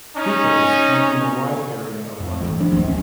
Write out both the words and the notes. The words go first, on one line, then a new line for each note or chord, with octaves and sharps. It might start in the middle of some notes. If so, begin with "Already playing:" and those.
Pupils come from a wide area of London.
C#4 D#4
F2
D2 E3
F3 D4
D#2 G3
D1 C#4